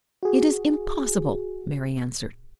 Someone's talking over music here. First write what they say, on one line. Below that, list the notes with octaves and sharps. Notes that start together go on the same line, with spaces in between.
"It is impossible," Mary answered.
F#4 G#4